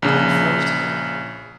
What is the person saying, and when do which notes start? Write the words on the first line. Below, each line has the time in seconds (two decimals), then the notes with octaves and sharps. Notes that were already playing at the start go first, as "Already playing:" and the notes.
and he froze to death.
0.02 A#1 C#3